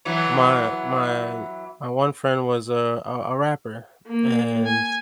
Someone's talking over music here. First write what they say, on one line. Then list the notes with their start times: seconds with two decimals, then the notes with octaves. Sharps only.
my my my one friend was a a a rapper, and
0.05 E3 F#3 B3
4.08 A#3
4.66 G#5